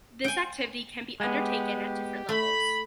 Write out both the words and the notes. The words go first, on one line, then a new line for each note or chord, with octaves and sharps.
This activity can be undertaken at different levels.
G5 G#5
G#3 B3 G4
A3 B5